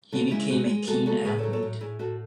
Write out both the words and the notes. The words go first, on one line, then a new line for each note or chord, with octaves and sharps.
He became a keen athlete.
C#3 F#4 A4
G#3 C#4 E4
G#3 D#4 F#4
G#3
G#3 F#4 A4
C#3 F#4 A4
A2 G#4 B4
F#3 A4 C#5
A4 C#5
A2
A2 E4 G#4
A2 F#4 A4